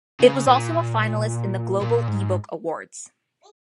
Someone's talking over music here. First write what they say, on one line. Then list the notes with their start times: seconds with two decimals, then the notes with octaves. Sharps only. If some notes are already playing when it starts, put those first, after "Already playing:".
It was also a finalist in the Global Ebook Awards.
0.20 C#3
0.47 A#2
1.81 A#2
2.08 G#2